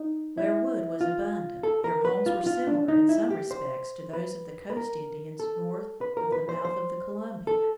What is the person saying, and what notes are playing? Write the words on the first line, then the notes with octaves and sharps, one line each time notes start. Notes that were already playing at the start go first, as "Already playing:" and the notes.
Where wood was abundant their homes were similar in some respects to those of the coast Indians north of the mouth of the Columbia.
Already playing: D#4
E4
F4
A4
A#4
B4
F4
F4
D4
D#4
E4
G4
C5
B4
B4
A#4
A4
B4
A#4
B4
C5
C5
A4